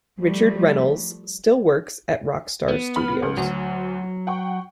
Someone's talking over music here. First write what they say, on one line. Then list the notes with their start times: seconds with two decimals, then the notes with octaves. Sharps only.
Richard Reynolds still works at Rockstar Studios.
0.19 F3 G3 A3
2.68 B3
2.96 B5 F6
3.22 C#2 G#2
3.37 D2 F#3
4.27 F#5 G5 C#6